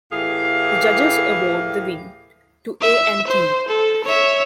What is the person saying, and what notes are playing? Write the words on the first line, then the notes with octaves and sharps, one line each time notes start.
The judges award the win to A and T.
A2 E3 G4 G#4 F5
E5
C5
A4
C#5 E5